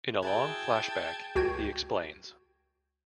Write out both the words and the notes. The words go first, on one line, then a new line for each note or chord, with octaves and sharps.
In a long flashback, he explains.
E4 F#4 G#4 G5 A5 G#6
C#2 F#4 G5 G6 G#6